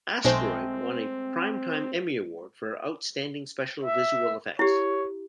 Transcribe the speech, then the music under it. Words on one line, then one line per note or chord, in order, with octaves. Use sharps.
"Asteroid" won a Primetime Emmy Award for Outstanding Special Visual Effects.
B1 G#3 A3 C4 C5 G5
E5
E4 G4 C#5